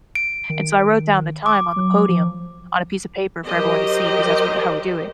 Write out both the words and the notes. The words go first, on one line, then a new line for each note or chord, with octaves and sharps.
And so I wrote down the time on the podium on a piece of paper for everyone to see 'cause that's what how we do it.
D7
D#3
D6
F#3
F3
F#3 G4 A#4 C5 D#5